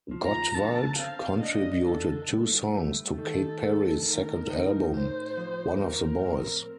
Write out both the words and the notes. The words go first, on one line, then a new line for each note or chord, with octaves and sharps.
Gottwald contributed two songs to Katy Perry's second album,"One of the Boys".
F3
A#5
D3 A5
C4 F5
D4 D#5
D3 A4
G2
A3
D#3 A4
A3
D#3 A#4
D#4
A2 C5
F3
A2 A#4
C4